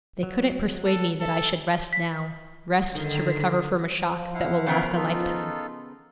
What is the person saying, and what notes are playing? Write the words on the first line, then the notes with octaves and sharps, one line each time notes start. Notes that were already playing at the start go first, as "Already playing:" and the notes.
'They couldn't persuade me that I should rest now, rest to recover from a shock that will last a lifetime.'
F#3
A4
A4
B6
D3 D#3
F3
E4 F5 F#5
C#3 B3 A#4
D#4 F4 A4